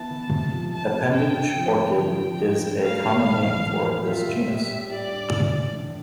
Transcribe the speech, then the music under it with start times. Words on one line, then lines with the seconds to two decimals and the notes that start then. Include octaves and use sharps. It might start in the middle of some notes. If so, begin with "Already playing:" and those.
Appendage orchid is a common name for this genus.
Already playing: E3 B3 E4 A5
0.10 E3
0.31 C3
0.52 F3
0.72 C3 A5
0.94 C3
1.15 C4 G5
1.36 C4
1.57 F3
1.78 D3
1.98 F3 G5
2.19 F3
2.41 F3
2.61 C4
2.82 A3 F5
3.04 E3
3.24 A2
3.44 E3
3.66 A2
3.86 G3
4.08 F4 E5
4.28 A2
4.50 G3
4.71 G4
4.91 G3 D5
5.13 D4
5.33 A2
5.54 E3
5.75 D4